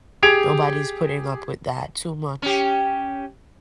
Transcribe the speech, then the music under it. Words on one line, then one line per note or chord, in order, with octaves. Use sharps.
Nobody's putting up with that too much.
G4 G#4 G#6 D7 F7
C#4 G4